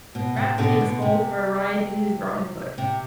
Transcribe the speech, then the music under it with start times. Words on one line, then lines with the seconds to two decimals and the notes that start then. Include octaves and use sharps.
Rat takes Mole for a ride in his rowing boat.
0.15 B2
0.37 C3
0.58 B2 D3
0.81 B2
1.02 C3
2.78 C3